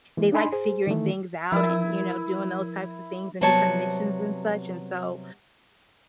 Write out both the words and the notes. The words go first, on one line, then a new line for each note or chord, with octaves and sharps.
they like figuring things out and, you know, doing those types things and different missions and such, and so,
E3 G#3 A#3
D4 D#4 D#5 G#5 B5 C6
G#4 C5
D#3 E3 A3
F3 E4 A#4
C3 F#3 G3 B3 C#5 A5